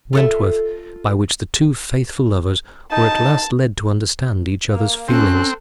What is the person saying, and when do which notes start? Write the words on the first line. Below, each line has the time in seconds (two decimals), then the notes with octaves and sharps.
Wentworth, by which the two faithful lovers were at last led to understand each other's feelings.
0.13 F4 A4 E5
2.92 D#4 A5
4.70 A#3 F5
5.08 C4 C#4 A4 F#6